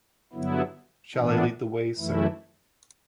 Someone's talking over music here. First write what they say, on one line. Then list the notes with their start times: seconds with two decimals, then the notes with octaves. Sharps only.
Shall I lead the way, sir?
0.33 G2 D3 F#3 B3 E4
1.15 A2 E3 B3 D4
1.97 F#2 E3 A3 E4